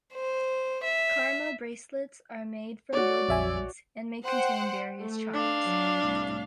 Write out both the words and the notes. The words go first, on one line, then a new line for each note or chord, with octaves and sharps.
Karma bracelets are made from wood beads and may contain various charms.
C5
E5
F#4 C#5 D5
A#1 F2 E5 G#5
C5 F#5 G5
A3
D4 F5
F#3
C2 A2